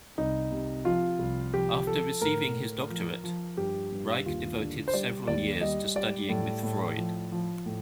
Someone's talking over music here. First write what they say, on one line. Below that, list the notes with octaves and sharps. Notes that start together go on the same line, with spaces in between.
After receiving his doctorate, Reik devoted several years to studying with Freud.
C2 D#4
C3
F3 F4
C2
F3 G4
F3 A4
A2 A#4
A2
F3
F3
G2 G4
G2
D#2 F4
D3
C5
G3 D5
D#2 D5
G3 D#5
G3 D5
A2
A2
F3
F3
A2